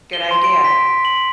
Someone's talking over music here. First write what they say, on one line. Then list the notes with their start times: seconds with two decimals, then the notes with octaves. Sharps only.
Good idea.
0.13 G7
0.31 C6
0.44 D7
0.64 B6
1.05 F#7